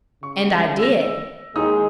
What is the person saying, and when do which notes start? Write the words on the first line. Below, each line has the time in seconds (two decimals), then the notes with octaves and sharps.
And I did.
0.23 C#3 C#6
0.78 E6 A#6
1.56 D#2 G#3 D#4 D#6